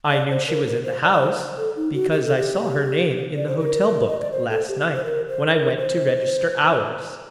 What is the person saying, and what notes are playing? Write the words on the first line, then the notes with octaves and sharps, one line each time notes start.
"I knew she was in the house, because I saw her name in the hotel book last night when I went to register ours."
D5
C5
A#4
A#4
C5
D5
D5
C5
A4
D#4
F#4
G4
A4
G4
D5
C5
A#4
D#5
D5
C5
A4
G4
C5
A#4
C5
A#4
C5